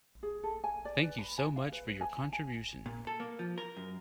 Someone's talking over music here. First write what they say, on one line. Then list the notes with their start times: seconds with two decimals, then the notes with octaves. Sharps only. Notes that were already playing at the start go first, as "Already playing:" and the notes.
Thank you so much for your contribution.
0.23 G#4
0.43 A4
0.64 G#5
0.85 D5
1.02 B4
1.18 B5
1.38 G#5
1.56 F5
1.72 B4
2.01 G#5
2.33 G#5
2.86 A#2
3.07 A4
3.20 A#3
3.39 F3
3.58 A#4
3.77 F#2